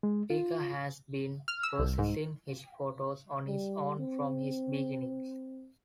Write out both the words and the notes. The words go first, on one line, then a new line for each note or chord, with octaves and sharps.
Plicka has been processing his photos on his own from his beginnings.
G#3
F4
F6
E6
C2
G#2
G3
C4